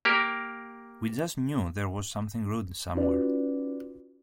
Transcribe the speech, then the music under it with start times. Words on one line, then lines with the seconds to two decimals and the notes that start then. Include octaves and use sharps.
We just knew there was something rude somewhere.
0.05 A#3 G4 A#4
2.95 C#4 D#4 F4 F#4 B4 D5